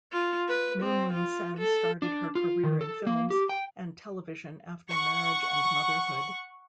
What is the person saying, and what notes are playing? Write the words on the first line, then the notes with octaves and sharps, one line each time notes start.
Moon Moon Sen started her career in films and television after marriage and motherhood.
F4
B4
C4
F4
A4
D4
F4
D#3
A4
A#3
G4
G5
F#5 C#6